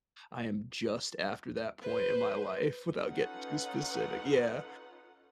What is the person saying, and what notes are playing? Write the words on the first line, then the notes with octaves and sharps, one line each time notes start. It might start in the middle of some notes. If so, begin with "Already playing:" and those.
I am just after that point in my life without getting too specific yeah,
B4 C5
C#4 D#4 F4 A4 B4 F#5